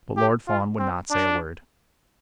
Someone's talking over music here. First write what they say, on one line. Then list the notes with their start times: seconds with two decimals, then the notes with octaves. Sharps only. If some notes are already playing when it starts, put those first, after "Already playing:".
But Lord Fawn would not say a word.
0.17 G4
0.48 F4
0.79 C4
1.10 D4